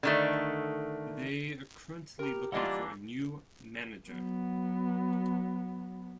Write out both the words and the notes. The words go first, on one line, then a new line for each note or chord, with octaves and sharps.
They are currently looking for a new Manager.
D3 D#3 A3
G4 A#4 A#5
E3 G3 A#3 D4 F4 D#5 F#5
F#3 B3